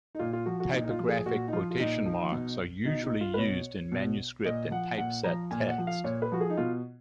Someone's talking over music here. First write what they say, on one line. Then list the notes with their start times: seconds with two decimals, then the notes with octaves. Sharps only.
Typographic quotation marks are usually used in manuscript and typeset text.
0.15 D#4
0.19 A#2 F4
0.33 F4
0.46 F3 F#4
0.60 F#4
0.72 A#2 D#4
0.84 D#4
0.91 F4
0.99 F3
1.08 G#4
1.26 A#2 F#4
1.48 D#4
1.53 F3 F4
1.71 F4
1.79 A#2 D#4
2.06 F3
2.32 B2
2.85 B2 D#4
3.03 D#4
3.21 F4
3.34 B4
3.38 B2 C#5
3.92 B2
4.45 A#2 D#5
4.71 F3 F#5
4.98 A#2 F#5
5.24 F3 A#5
5.51 A#2 G#5
5.68 F#5
5.78 F3
5.87 F5
6.04 A#2 C#5
6.22 B4
6.32 F3 F#4
6.40 G#4
6.50 D#4
6.57 B2 F4